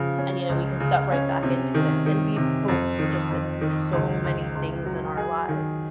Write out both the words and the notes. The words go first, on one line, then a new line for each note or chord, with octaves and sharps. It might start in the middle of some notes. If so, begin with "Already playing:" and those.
and, you know, we can step right back into it, and we've both v just been through so many things in our lives.
Already playing: C#3 F3
C#4
C#2
C#3
C#4
C3
D#3
D#3
C3
F2
D#3
F2
D#3
C#2
C#2
C#2
F#3
G#4
D#3